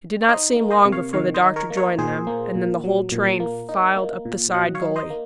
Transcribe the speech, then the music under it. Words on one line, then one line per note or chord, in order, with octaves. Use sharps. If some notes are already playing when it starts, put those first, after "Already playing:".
It did not seem long before the doctor joined them, and then the whole train filed up the side gully.
C#5
D#4 C5 D#5
A#3
C5 D#5
C3
C#5 F5
D#3 C#5 F5
C5 D#5
D#4
A#4 C#5
A#3
A#4 C#5
A#2 G#4 C5
A#3
A#2
F#3
A#2
A#3
D#4
A#3
A#2
F#3 D#5 F#5
C#5 F5
D#4
C5 D#5
A#3